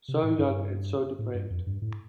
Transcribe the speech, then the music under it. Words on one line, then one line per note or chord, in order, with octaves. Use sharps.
So young and so depraved!
C3
A2
G2
A2
G2
F2
G2
A2